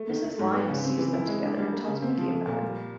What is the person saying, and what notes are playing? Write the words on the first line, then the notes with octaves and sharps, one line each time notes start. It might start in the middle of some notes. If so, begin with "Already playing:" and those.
Mrs Lyons sees them together and tells Mickey about it.
Already playing: A3
D#3
A3
G#2
B3
C#3
C4
E3
E4
G#3
D4
G3
A#3
C#3
C4
F3
A3
A#2
G3